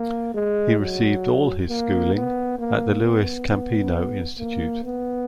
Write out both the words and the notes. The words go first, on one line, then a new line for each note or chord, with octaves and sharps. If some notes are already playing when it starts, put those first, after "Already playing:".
He received all his schooling at the Luis Campino Institute.
Already playing: A#3
G#3
F#3
A#3
B3
A#3
B3
B3
A#3
B3